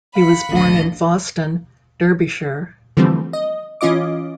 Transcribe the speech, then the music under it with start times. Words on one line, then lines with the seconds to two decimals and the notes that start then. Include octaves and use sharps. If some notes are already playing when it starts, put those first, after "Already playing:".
He was born in Foston, Derbyshire.
0.15 F5 B5 F#6 B6 C#7
0.49 G#1 D2 A#2 D3 D#5
2.97 D3 E3 F3 G3 A3 C4
3.33 D#5
3.81 E3 C#4 F4 D#5 D6